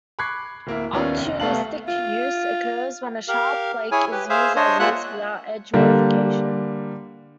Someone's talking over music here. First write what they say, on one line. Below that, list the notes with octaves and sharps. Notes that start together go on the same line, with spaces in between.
Opportunistic use occurs when a sharp flake is used as-is, without edge-modification.
B5 C#6 D6 F#6 G#6 C7
D1 A#3 E4
D#2 D#3 B3 C#4 F4 D5
F1 C2
C2 A3 B3 F5 A5 F#7
F4
G4 A#4 F5
E4 G#4 C#5 G#5
G4 B4
G#4 C5 E5 F5
D4 C5 C#5 D#5
G#3 A#3 F4 E5 F#5 F#6
D3 G3 A#3